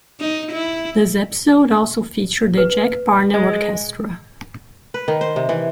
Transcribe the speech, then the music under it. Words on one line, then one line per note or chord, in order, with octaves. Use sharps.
This episode also featured the Jack Parnell Orchestra.
D#4
E4
B4
G#3
B4
D#3
C5
C3
E3